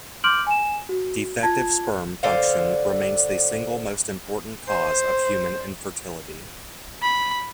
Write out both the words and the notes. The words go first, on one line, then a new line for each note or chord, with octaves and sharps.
Defective sperm function remains the single most important cause of human infertility.
C6 D6 F6 G6 D7 F#7
G#5 E7
F#4
F4 A5 G#6
D3 C5 F5
C5
B5